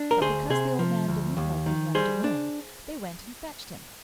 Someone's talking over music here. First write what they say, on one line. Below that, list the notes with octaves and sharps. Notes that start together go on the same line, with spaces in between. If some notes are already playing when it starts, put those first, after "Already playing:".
But because the old man did not like being left alone, they went and fetched him.
Already playing: D4
A#4
D2 G#4 C5
C3 G#4 C5
F3
D2
D#2
D#3
G3 G#4 C5
D4